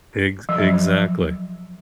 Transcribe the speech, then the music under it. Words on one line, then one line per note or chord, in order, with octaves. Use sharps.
Ex exactly.
F3
F#3